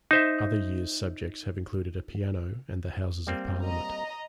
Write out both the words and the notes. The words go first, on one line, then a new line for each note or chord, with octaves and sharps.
Other years' subjects have included a piano and the Houses of Parliament.
D#4 C5 E5
G3 A#3 C4
D#5 A#5